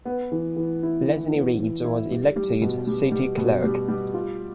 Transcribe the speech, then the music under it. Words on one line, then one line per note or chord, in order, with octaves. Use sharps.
Leslie Reed was elected City Clerk.
B3
E3
E3
E4
E3
B3
E3
E4
G3
G3
B2
G3
G3
B2
G3
G3
F4